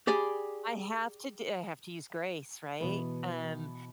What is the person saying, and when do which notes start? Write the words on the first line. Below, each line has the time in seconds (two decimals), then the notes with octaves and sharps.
I have to do I have to use grace, right? Um,
0.07 G4 G#4 D5 B5
2.80 B2 E3 B3